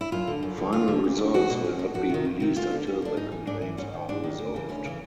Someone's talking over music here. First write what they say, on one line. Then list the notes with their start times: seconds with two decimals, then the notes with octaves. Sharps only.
Final results will not be released until the complaints are resolved.
0.01 E4
0.12 F#2 F4
0.27 D3
0.43 F#2
0.58 D3
0.72 D2 F4
0.88 D3
1.04 D2
1.18 D3
1.34 E2 F#4
1.50 B2
1.65 E2
1.79 B2
1.94 F2 F#4
2.10 C3 D#3
2.25 F2
2.40 C3 D#3
2.56 D2 F4
2.71 D3
2.87 D2
3.02 D3 D4
3.16 G#2 D#4
3.32 E3
3.47 G#2 D4
3.62 E3
3.77 G#2 C#4
3.93 D#3
4.09 G#2 D4
4.23 D#3
4.38 D2
4.54 C#3 E3
4.69 D2 C#4
4.85 C#3 E3